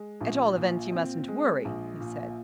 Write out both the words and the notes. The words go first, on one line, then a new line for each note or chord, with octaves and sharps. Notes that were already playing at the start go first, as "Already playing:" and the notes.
"At all events, you mustn't worry," he said.
Already playing: G#3
A#1
A#2
C4
G#3
A#1
A#2